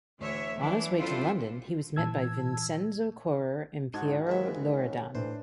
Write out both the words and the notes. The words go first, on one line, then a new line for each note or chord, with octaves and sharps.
On his way to London he was met by Vincenzo Correr and Piero Loredan.
D2 E3 C#5 E5
E3 F#3 D4
C4 D4 E4 F4 A4 C5
A#2 E3 A5 E6 G#6
G#2 D#4 F#4 F#5 A5 G#6
D#2 G#2 E3 G#3 A#4 E5
C#4
A2 E3 D4 C5